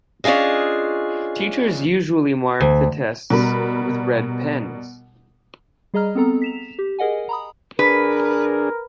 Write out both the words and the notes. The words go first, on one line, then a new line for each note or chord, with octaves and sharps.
Teachers usually mark the tests with red pens.
C#4 D4 F4 G#4 D#5
D2
B2 G3 A#4 B5
G3 G#4 D#5 A#5 F6
B3 C4 A4 A#5
B6 E7 F7
G4
G#4 A#4 D#5 F#5 G#5
A#5 B5 D#6
D4 G#4 A#4 B4